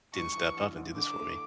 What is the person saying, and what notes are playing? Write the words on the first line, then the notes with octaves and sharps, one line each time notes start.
didn't step up and do this for me.
G2 C#6
E3
A1
A1
D3 D6
A3